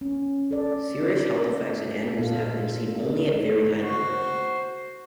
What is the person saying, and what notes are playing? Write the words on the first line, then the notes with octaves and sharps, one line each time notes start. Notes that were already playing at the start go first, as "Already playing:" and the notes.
Serious health effects in animals have been seen only at very high levels.
C#4
A4 D5
A#2 F4 A4 F5
F#4 C5